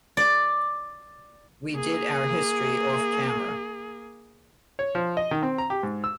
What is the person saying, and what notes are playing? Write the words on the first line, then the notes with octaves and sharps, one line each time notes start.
We did our history off-camera.
D5
A#3 G#4
C#5
F3
D#5
D#3
C4
A#5
G4
G#2
E6